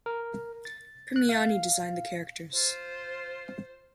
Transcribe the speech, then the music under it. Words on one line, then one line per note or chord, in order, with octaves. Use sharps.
Premiani designed the characters.
A#4
A6
F#6
F5
F4 C5